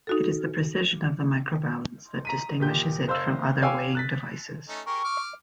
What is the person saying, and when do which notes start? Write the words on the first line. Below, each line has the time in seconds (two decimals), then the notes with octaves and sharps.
It is the precision of the microbalance that distinguishes it from other weighing devices.
0.07 D#4 F#4 A4
2.25 A#5 B6 D#7
2.60 A#2 G4 G6
3.08 F#1 C5 F5 E6
3.62 C#5 F5 G5 G#5 D6 E6
3.95 F#6 A6 B6
4.68 A3 C#4 D#4
4.87 G4 G#4 A#4 C#6
5.04 D6 F6